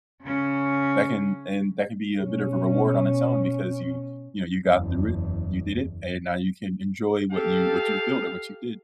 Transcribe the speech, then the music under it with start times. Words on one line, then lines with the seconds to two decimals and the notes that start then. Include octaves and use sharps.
That can and that can be a bit of a reward on its own because you you know, you got through it, you did it, and now you can enjoy what you what you've built or what you did.
0.22 C#3 C#4
2.19 B2 C#4
4.67 F#1 E2
7.32 G4 A4 F5